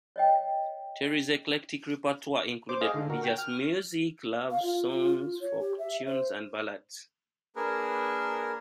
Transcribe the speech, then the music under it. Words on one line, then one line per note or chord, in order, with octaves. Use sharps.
Terri's eclectic repertoire included religious music, love songs, folk tunes and ballads.
C#5 D#5 G5
C5 D6
G#4 D#5 F5
D3
F#4 A#4
G5
F6
F5
F4
F4
F4
C#5
G4
E5
C5
A#3 D4 G#4 A#4 B4